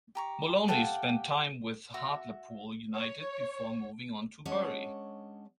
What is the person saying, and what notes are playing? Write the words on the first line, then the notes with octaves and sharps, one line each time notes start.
Moloney spent time with Hartlepool United before moving on to Bury.
G4 A#5 C#6
G4 A4 F5 F#5
F#4 E5
C#5
G#3 C#4 D4 C#5 D#5 F#5